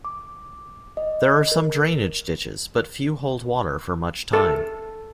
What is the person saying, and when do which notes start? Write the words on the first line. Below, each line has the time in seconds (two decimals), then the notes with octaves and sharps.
There are some drainage ditches, but few hold water for much time.
0.05 D6
0.97 D#5
1.52 A#4
4.33 A4